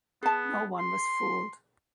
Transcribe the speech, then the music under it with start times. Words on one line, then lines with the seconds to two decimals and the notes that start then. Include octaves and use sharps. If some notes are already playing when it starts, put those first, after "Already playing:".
No one was fooled.
0.23 B3 G#4 A5
0.79 C6